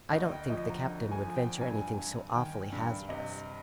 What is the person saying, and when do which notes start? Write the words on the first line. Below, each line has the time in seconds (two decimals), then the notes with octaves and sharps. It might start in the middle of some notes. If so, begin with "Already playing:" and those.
I don't think the captain would venture anything so awfully hazardous.
0.12 D2 D#5
0.32 G5
0.50 F3 D#5
0.69 A#5
0.87 D3
1.11 G#5
1.24 F3
1.36 G5
1.61 G2 G#5
1.98 G2
2.35 D#3 G5
2.72 G2
3.09 C3 D#5